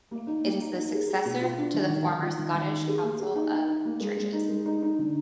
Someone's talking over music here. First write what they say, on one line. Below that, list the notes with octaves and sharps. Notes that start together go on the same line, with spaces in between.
It is the successor to the former Scottish Council of Churches.
A#3
D#4
A#3
D#4
D#4
G#4
G#4
B2
F4
D4
D#3
D#3
D#3
F4
D#3
D#3
D#4
G#4
A#3
G#4
D#4
D#4
D#4
A#3
G#3
G#3
D#4
G#3
D#4
D#4
D3